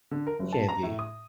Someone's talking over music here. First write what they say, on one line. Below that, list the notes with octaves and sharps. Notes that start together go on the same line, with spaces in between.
It can be.
D3
A#4
F#1
A5
A#5
A2
D#6